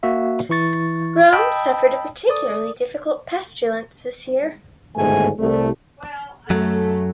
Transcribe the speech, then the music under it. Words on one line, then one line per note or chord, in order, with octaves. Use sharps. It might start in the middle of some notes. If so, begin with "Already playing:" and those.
Rome suffered a particularly difficult pestilence this year.
A#3 F#4 E5 F5
E3 E4 C#6 A6
D#5 G5 A5 B5 D#6 E6
A4 D5 D#6
G1 D#2 G#2 B2 A3 G#5
C2 A3
F#2 F#3 A3